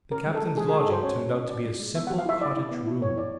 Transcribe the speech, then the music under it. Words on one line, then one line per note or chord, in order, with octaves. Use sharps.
The captain's lodging turned out to be a simple cottage room.
C#4 A#4
G#3
A4
G#3
G#3 G#4
G#4
G#3
A4
F#4 C5
C#4 C#5
F#4
C#4
F#4 D5
G#3
G#3
B3 E5
F#5
G4
F5
E4 E5
E4 D5
E4
B3
E4
B3 C#5
E4 D5